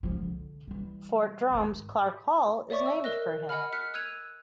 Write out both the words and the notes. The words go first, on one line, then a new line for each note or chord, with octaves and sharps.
Fort Drum's Clark Hall is named for him.
C#2 F3
D3
E3 G3
G#2 D#3
C#5 D5 E5 C#6 D6
E6
A#4 D#5 F#6 A#6
D#5 F#5 G#5 B5 F6
F6 F#6 B6 C#7
E6 F#6 G#6 D#7 F7